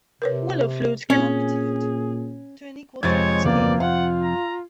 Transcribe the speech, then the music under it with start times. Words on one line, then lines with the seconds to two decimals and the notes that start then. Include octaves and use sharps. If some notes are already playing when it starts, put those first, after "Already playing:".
Willow flutes cannot be tuned to an equal tempered scale.
0.22 C3 A#4 B4 C#5
1.10 A#2 C4 C#4 G#4
3.03 F2 C3 F3 G#3 C#5 G#6 A6
3.45 F#1 D2 A#3 B3 D5
3.80 F4 F5 F#5
4.22 A#5